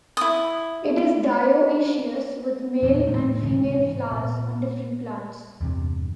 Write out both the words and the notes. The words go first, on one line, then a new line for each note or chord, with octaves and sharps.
It is dioecious, with male and female flowers on different plants.
E4 D#6
E2 A#2 F#3
A2 D3 A3 B3
G#2 C3 E3 C#4
A#2
E2 G2 C3